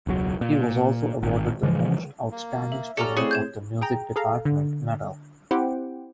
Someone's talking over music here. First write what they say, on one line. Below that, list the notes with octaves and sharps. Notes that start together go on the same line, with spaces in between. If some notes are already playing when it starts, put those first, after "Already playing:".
He was also awarded "The Most Outstanding Student of the Music Department" medal.
E1 C#2 F#3
A#2
G#1
C#3 E3 F3 G#3
A#3
E5 F#7
C#4 F#4 G4 A4 D5 A#5 F6 C#7
A3 C4 E4 G#4 C5 C#5 C#7
G6 G#6 E7
G#4 G5 A#5
G#4 A4 F5 A#5
D3
C4 E4 G4 C5 F#5 G5